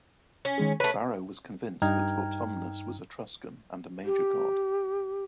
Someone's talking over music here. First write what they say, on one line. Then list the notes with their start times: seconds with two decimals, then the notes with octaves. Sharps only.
Varro was convinced that Vortumnus was Etruscan, and a major god.
0.45 C#4
0.58 D#3 G#3 G#4
0.80 A3 B4 C#5
1.82 G2 D#4 G5 A#5 F6 G#6
4.05 G4